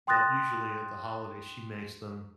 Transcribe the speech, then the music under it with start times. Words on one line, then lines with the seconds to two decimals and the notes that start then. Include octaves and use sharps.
but usually at the holidays she makes them,
0.07 G5 C6 D#6 F#6 A6 A#6